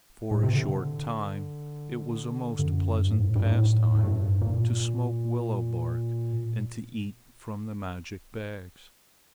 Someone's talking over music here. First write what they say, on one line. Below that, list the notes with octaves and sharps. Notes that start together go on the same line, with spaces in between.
For a short time it was a most pleasant pastime to smoke willow bark and to eat from the magic bags.
A2
C3
D3
F#2
G2
A2
G2
A2
G2
G2
A2
A2
G2
F#2
G2
A#2